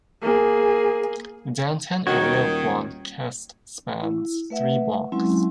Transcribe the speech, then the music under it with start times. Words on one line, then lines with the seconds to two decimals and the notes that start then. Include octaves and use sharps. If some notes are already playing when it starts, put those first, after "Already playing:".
The downtown area of Blomkest spans three blocks.
0.22 A#3 G#4
2.07 D#1 D#3 F#4 C#5
4.02 E4
4.50 A3 B4 E5 F#5
5.12 F#3 G#3 C4 C#4 E4